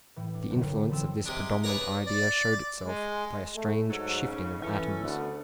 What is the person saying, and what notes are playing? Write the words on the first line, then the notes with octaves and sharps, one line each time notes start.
The influence of this predominant idea showed itself by a strange shifting of atoms.
A2 E3
D4
F#1 C2 D3
F2 E3 C4 E6
C3 G#3 D4
G#4 B4 C#5 D5 A#5
D5
G#3
A3
G#2 F#3 A4
C#3
E3 C#4 A4
D2 C#3 A3 B3